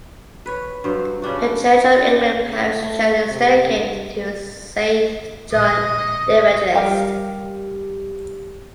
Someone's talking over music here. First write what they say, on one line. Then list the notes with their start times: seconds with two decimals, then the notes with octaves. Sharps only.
The Church of England parish church is dedicated to Saint John the Evangelist.
0.46 B4 C#5
0.84 G2 F#3 C5
1.22 C#3 G3 D4 F#4
1.94 C#4
2.35 C#3
2.73 A3
3.30 C3
3.73 G2
5.52 D1 A#1 D#5
6.74 G3 G4 A#4 F5